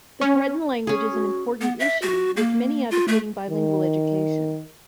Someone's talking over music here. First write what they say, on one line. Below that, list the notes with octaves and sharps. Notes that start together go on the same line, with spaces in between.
The Breton language is an important issue, with many advocating bilingual education.
C#4
C#4 G#4
F#4
B3
E5
F#4
A#3
F4
A3
D#3